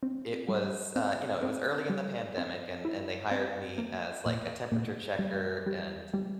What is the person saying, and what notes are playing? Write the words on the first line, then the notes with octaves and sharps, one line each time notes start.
it was, uh, you know, it was early in the pandemic, and and they hired me as, like, a temperature checker and,
C4
G3
C4
C4
G3
C4
E4
C4
A#3
A#2
A#2
G3
G3
G3